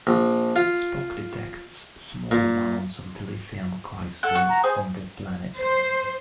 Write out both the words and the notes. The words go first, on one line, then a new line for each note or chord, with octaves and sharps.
Spock detects small amounts of dilithium crystals on the planet.
A#1
F4
A#2
A4 F#5 F#6
F#4
A#5
G#4 C5
C5